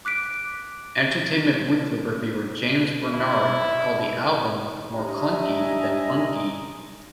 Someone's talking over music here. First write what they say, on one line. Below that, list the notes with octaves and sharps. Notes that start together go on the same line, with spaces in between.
"Entertainment Weekly" reviewer James Bernard called the album "more clunky than funky".
D6 F#6 B6 D7
E4
D4 G4 D#5 E5 G#5 A#5